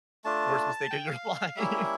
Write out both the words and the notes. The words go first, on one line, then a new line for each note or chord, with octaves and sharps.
Worst mistake of your life.
A3 D4 F4 A5
G5
F5
G3 A#3 C#4 E4 E5